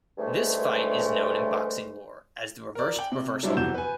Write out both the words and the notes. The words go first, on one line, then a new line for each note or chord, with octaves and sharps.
This fight is known in boxing lore as The reversed reversal.
D2 G2 C#3 E3 G#3 A3
A#4 D5
G5 F#7
C3
F#3 G3 D4 E4 C5
F1 E2 F#4 G6 E7
B4 G#5